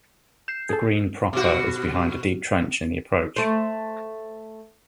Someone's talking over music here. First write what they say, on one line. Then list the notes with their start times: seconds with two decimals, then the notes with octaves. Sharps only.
The green proper is behind a deep trench in the approach.
0.48 G6 C7 E7
0.69 G#4 A4
1.33 B2 F#4
3.36 A3 C5